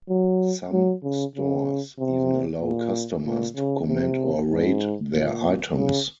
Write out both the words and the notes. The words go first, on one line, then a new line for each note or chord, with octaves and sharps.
Some stores even allow customers to comment or rate their items.
F#3
F#3
C#3
C#3
C3
A#2
A#2
C#3
C3
G#2
A#2
C#3